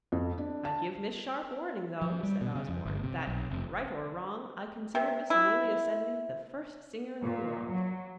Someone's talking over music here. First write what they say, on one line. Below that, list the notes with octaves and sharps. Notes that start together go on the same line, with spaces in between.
"I give Miss Sharp warning, though," said Osborne, "that, right or wrong, I consider Miss Amelia Sedley the first singer in the world."
F2
D4
A5
F3
G3
B2
C#3
F2
G1
C3
B1
F1
C3
E4
A#2
F#3